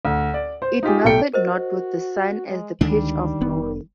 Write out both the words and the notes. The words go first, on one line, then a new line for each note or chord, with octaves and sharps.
It melteth not with the sun as the pitch of Norway.
D2
D5
C5
D#4 F4 G4 G#4
B1 A3 A4 G5 C#7
F#4 A#4 C5 D#5
G#3
D2 D3 D#3 G3 G#3 D4
F1 B3